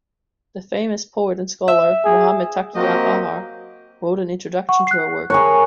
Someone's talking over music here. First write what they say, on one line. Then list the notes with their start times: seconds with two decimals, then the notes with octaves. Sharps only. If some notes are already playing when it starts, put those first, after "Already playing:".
The famous poet and scholar Mohammad Taqi Bahar wrote an introduction to her work.
1.68 E5
2.05 G#4
2.75 F#3 A#3 C4 F#4 G4 D#5
4.69 F#5 C#6
4.87 F#6 C7
5.30 G#4 A#4 C#5 F#6